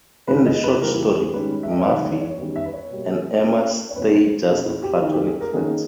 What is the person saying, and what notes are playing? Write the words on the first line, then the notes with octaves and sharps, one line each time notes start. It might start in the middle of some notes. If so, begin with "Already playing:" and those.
In the Schott story, Murphy and Emma stay just platonic friends.
G#2 D#3 G#3 B4
D#5
B4
C#3 E3 G3 A#3 A#4
E4
G4
G#4
G#2 D#3 G3 C#4 B4
E5
D#5
C#5
D#3 G#3 D#4 B4
C#5
C#5
E2 D#3 G3 C#4
E5
B4
C#5
B2 G3 A#3
A#2 A#3 C#4
C#5
E2 B2 A#3 C#4 B4
B2 A#3 C#4 G#4
E4
G4
D#3 A#3 D#4 E4
G4
G#4
A#4
D#3 A#3 C#4 G#4